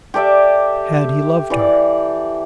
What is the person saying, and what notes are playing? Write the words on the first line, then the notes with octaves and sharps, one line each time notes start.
Had he loved her?
G4 A4 D5 E5
E3 D5